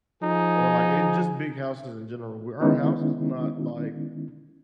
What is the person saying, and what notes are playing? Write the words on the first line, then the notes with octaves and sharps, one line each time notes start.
or like in just big houses in general, our house is not like
F3 D#4 G#4 G#5
D#3 G#3 B3 C#4 D#4 E4